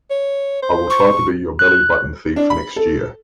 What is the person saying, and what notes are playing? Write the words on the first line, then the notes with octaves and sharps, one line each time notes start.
I will try to be your belly button thief next year.
C#5
C5
C#6
F#6
D4
B5
A4